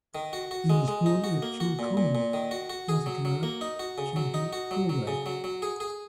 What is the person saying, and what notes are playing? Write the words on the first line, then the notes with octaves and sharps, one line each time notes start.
He was born at Kilcommon, Oughterard, County Galway.
D#3
F#4
F#4
G#3
G#3
D#4
F#4
A#3
F#4
A#2
A#2
A#2
D#3
F#4
F#4
G#4
F#3
F#3
A#3
D#4
F#4
C#3
F#3
D#4
F#4
F#3
F#3
C#3
F#3
F#3
G#4
G#4